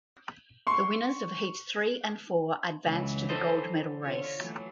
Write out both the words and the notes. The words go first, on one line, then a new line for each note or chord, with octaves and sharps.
The winners of heats three and four advanced to the gold medal race.
C6 C#6
C#2 E3 F#3
A4 C5 D#5
D3 F4 C#5
E3 F#3 A3